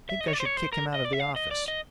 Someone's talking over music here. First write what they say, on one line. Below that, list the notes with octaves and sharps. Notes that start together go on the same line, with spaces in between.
"I think I should kick him out of the office."
E5
D#5
C#5
D5
C5
C#5
C5
A#4
D#5
D5
E5
F5
D#5
D5
D#5